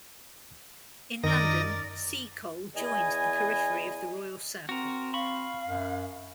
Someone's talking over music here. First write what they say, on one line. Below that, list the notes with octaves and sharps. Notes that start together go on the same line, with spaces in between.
In London, Seacole joined the periphery of the royal circle.
F#2 D#3 D#4 A#4 D5 D#5 A#6
E2 E4 D#5 G#5
C4 F#4 A#4
F5 B5 C#6
F#2